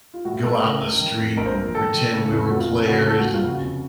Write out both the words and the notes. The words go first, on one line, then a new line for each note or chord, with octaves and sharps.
go out in the street and pretend we were players and
F4
A2 F#4
A2 A4
C#3 A#4
C#2
D#3
F2
A#1 A#4
C5
A#2 A#4
D#3 A4
D#3
C#3
F1
F1 F#4
F4
F1
C#3 F#4
C#2 A4
F#4
D#2
F4
C#3
F#4
F1